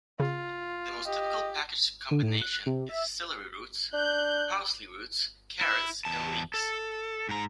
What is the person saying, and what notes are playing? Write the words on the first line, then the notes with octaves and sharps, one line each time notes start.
The most typical, packaged combination is celery root, parsley root, carrots, and leeks.
C#3 F4
G4 D#5
D3
A2
F#6
C3
E5
D4 F#6 G6
E4
E2 A5
A4
G#2 A#5